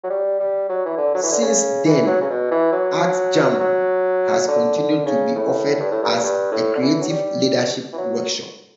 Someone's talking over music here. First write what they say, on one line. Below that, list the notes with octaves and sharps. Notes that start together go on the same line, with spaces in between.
Since then, "Art Jam" has continued to be offered as a creative leadership workshop.
F#3
G3
G3
F#3
E3
D3
F#3
E3
D3
C#3
E3
F#3
C#3
B2
E3
F#3
F#3
D3
D3
C#3
A2
G2
A2
G2
G2
A2
D3
E3
F#3
G3
E3
F#3